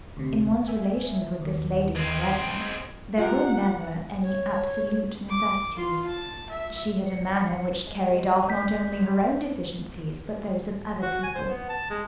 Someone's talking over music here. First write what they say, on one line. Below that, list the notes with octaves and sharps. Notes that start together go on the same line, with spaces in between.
In one's relations with this lady, however, there were never any absolute necessities; she had a manner which carried off not only her own deficiencies but those of other people.
D2 C3
A#3 E5 G#5
D#2
G#3 C4
F4 G4 A#4 F#5
C#5
D6
F4 C6
A5
E5
C#7
G#3
D5 G6 B6
F#4
G#5
C5
B3
A5
G#3